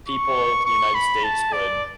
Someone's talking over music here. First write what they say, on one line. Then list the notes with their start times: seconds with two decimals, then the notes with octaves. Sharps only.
people of the United States would
0.08 C#6
0.66 C#6
0.94 B5
1.24 A5
1.53 D5